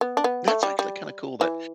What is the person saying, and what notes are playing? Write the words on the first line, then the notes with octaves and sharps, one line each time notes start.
That's actually kinda cool that
B3
D4
B3
A3
G3
G3
E3